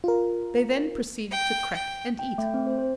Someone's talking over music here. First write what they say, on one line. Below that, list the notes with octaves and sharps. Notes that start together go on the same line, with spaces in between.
They then proceeded to crack and eat.
F4 A#4
G5
G5
G5
A3
C4
C5
C5